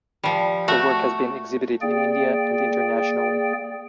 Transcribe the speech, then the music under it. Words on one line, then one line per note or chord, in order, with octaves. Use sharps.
Her work has been exhibited in India and internationally.
F3 G3
A3 F#4 F#5
A#3 G#4 D5 G5